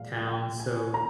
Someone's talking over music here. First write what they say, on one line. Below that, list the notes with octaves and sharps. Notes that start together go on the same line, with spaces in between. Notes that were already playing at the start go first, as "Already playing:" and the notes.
town, so,
Already playing: A#2 F3 G#3 F5
G5
G#5
D#3 A#5